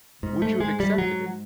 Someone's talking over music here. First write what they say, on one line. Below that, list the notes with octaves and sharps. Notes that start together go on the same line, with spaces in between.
would you have accepted it?
G#2
A3
G#3
G3
F#3